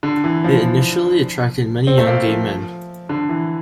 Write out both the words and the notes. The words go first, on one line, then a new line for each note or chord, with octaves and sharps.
It initially attracted many young gay men.
D3
E3
F3
C4
A3
A#3
F3
D3
E3